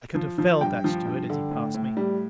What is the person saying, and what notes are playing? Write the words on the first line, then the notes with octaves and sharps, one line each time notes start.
I could have felled that steward as he passed me.
F3
F3
G2 G5
F3
G2
D3
A2
A2
G3